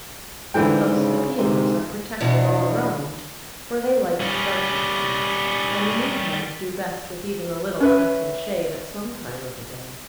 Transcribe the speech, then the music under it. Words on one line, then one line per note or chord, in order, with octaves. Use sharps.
Thus the Paeonies are protected all round, for they like a sheltered place, and the Moutans do best with even a little passing shade at some time of the day.
G#2 D3 E3 G5
C#3
G#2 C3
E2 B2 D4
G3 C#4
C#4 B4 E5